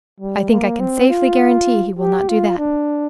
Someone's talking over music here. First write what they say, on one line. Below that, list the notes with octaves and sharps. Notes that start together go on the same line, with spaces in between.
"I think I can safely guarantee he will not do that."
G3
A#3
C4
F4
G4
F4
D4